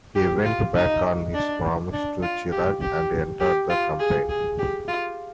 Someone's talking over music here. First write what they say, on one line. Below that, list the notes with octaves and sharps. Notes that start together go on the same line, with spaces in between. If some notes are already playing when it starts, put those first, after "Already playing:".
He went back on his promise to Chirac and entered the campaign.
G4
F4
D#4
D4
D4
F4
G4
G4
G4
F4
G#4
G#4
G4
F4